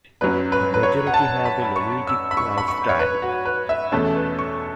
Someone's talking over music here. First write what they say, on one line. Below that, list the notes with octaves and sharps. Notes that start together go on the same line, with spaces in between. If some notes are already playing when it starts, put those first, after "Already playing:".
The majority have a nomadic lifestyle.
F#2 F#3 C#4 B4
B4
B4
C#5
F#5
A5
B5
C#6
E6
B5
C#6
B5
C#6
C#5
B4
F#4
B4
E5
E2 B2 A3 C#4 A4
B4
C#6